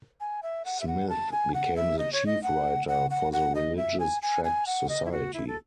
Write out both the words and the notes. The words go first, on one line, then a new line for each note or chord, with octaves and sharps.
Smith became the chief writer for the Religious Tract Society.
G#5
E5
F#5
E5
F#5
A5
G#5
F#5
E5
D#5
C#5
D#5
F#5
F#5
F#5
F#5
D#5
E5
G#5
G#5
G#5
F#5
D#5
E4
F#4
E4
A4